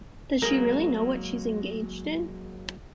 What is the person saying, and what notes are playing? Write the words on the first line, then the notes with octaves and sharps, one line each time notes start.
Does she really know what she's engaged in?
F#3 G#3 A#3 G#4 A#4